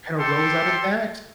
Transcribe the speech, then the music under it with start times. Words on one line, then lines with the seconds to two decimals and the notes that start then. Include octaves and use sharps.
kinda rose out of that,
0.18 G4 A4 C5 C6